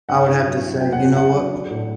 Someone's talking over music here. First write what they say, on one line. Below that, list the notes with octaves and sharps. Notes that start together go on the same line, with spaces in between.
I would have to say, "You know what?
G2 F#5
E4
F#3
E4
F#3 G5
F#5
C#4
F#5
C#4 F#5
F#3
D4
A2